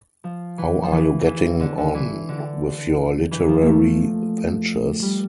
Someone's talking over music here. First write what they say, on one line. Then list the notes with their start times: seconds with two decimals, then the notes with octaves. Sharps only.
How are you getting on with your literary ventures?
0.24 F3
0.58 E3
0.83 F3
0.92 E3
1.27 E3
1.60 D3
1.78 D3
1.95 E3
2.29 D3
3.31 E3
3.48 F3
3.62 A3 A#3
5.02 G3